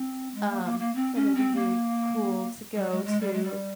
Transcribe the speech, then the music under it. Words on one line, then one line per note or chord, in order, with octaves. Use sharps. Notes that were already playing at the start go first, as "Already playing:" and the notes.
Um, and it'd be really cool to go to,
Already playing: C4
G#3
A#3
A#3
A#3
C4
C#4
C4
A#3
G3
G#3
G#3
G3
G#3
G3